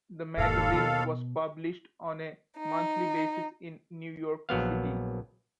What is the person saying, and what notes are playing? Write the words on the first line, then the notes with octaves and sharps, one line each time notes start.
The magazine was published on a monthly basis in New York City.
E1 D#2 G#2 A4 F5
B2
D#4
A#1 F#3 B3 F5